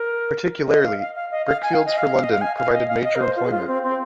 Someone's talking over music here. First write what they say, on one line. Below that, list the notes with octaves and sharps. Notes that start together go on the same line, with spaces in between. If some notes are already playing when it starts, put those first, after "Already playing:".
Particularly, brickfields for London, provided major employment.
Already playing: A#4
D#5
F5
F5
F5
D#5
F5
G#5
F5
D#5
F5
D#5
F5
G#5
F5
D#5
F5
D#5
A#4
C5
F4
G#4
F4
C4
C4